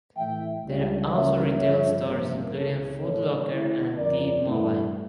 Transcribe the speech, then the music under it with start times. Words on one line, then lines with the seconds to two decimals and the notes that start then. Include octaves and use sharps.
There are also retail stores including Footlocker and T-Mobile.
0.16 A2 E3 A3 E5 G5
0.63 C#2 C#3 G3 D4
1.11 C#2 C#3 E3 G3 A#3 C#5 E5
1.59 G1 G2 D3 F3 C#5 E5
2.07 A1 G2 F3 A#3
2.54 C#2 C#3 E3 A4 C#5
3.02 A#1 A2 G3 A#3 A4 C#5
3.50 D2 D3 A3 C#4 E4
3.98 G1 F2 C#3 F3 C#4 A#4 D5
4.45 G2 E3 A3 E4